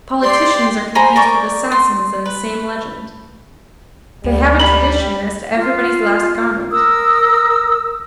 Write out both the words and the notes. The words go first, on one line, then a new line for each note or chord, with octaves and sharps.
"Politicians" are confused with assassins in the same legend. They have a tradition as to everybody's last garment.
G4 D5 G5 C6 C7
C5 G#5 A#5 B5
A#4 D5 G5 C#6
C6
B4
D2 G3
B5 F#7
F4
A#4 D#6 E6